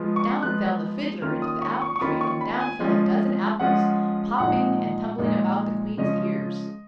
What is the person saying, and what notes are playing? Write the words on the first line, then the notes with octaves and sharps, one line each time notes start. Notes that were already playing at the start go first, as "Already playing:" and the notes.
Down fell the Fiddler into the apple-tree and down fell a dozen apples, popping and tumbling about the queen's ears.
Already playing: F3 G#3 B3 F4
C#6
F3 G#3 B3 F4 F#6
D#3 A#3 C#4 F4 F6
D#6
C#6
C#6
C#6
D#3 A#3 C#4 F4 B5
C#6
B5
G#5
F3 G#3 C#4 F4
F3 G#3 C#4 F4 F#5
A#2 F3 G#3 D#4 F#5
A#2 F3 G#3 D#4
C#3 F3 G#3 C#4 D#5